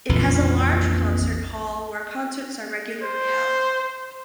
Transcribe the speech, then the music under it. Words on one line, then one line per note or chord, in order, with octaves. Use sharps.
It has a large concert hall where concerts are regularly held.
A#1 F2 E3
C5